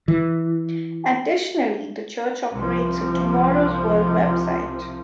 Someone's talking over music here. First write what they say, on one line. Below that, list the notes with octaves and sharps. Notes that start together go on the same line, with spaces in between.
Additionally, the church operates a "Tomorrow's World" website.
E3
C2 C3 F3